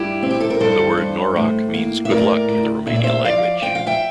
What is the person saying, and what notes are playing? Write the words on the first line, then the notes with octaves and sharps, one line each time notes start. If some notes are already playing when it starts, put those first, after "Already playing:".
The word "noroc" means "good luck" in the Romanian language.
Already playing: G2 E4 G4
C4
G4
A4
A#4
G2 A4 C5
G2
A2
A#3
E5
A2 A#4 D5
A2
A#2 E5
D5
C5 E5
F3 D5 F5
F3 G5
F5
E5 G5